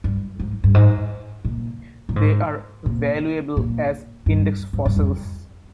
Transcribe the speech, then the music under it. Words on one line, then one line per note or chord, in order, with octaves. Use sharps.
They are valuable as index fossils.
G2
G#2
G2
G#2
A#2
A#2
G#2
A#2
A#2
G2
G#2
G2
F2